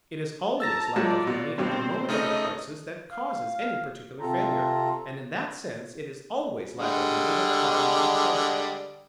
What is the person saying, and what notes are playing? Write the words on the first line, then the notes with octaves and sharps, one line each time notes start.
It is always lack of money at the moment of the crisis that causes any particular failure, and in that sense it is always lack of money that causes a crisis.
A5 A#5 E6 A6 A#6
G#2 F#3 F4 D5 A5
B2
G2 B2 C4 C5
C#3 A3 D#4 D#5
F5
C3 C4 F4 A4 A#5
D3 G3 G#3